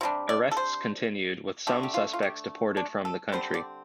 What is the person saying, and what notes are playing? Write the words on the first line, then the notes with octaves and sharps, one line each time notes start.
Arrests continued, with some suspects deported from the country.
C3 G3 D4
D5
A4
C5
D3 A3 D4 G4
G4
F4
F4
G4
D4
A4
D3 G3 C4 C5
D5